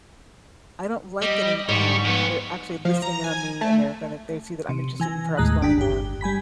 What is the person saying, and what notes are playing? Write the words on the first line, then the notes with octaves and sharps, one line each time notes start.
I don't like getting, um, they're actually listening in on me and they're gonna they see that I'm interested in perhaps buying a
G3 D#5
G#2 G3 C#6
F2 B3
F3
A#5
G#5
A3
C3
E3 G#5 A#6
D#2 A2 G#3 A#5 D#6 F#6
G1 D4 G5 B6
G1 G4
G3 G#5 B5 B6